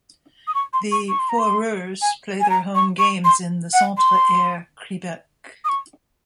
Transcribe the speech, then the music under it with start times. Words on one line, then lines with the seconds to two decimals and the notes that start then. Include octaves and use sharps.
The Foreurs play their home games in the Centre Air Creebec.
0.47 D#6
0.55 C#6
0.73 C6
0.92 C#6
1.09 C#6
1.19 C6
1.29 A#5
1.39 C6
2.02 G#5
2.41 G#5
2.50 A#5
2.75 C#6
2.99 C#6
3.25 C6
3.73 F#5
3.98 C6
5.65 D#6
5.69 C#6